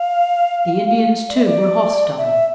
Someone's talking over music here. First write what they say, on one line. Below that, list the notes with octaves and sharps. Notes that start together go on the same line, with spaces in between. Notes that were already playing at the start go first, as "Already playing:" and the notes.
The Indians, too, were hostile.
Already playing: F5
D5
E5
D5
E5